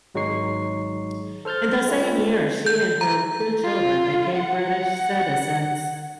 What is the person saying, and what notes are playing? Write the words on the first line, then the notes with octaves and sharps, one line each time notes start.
In the same year she and her two children became British citizens.
G#1 F#3 G#3 D#4 C#6 C7
A4 C5 F6 G6 A6
G#3 C4 F4 B4
G6
A#5
F4
F#5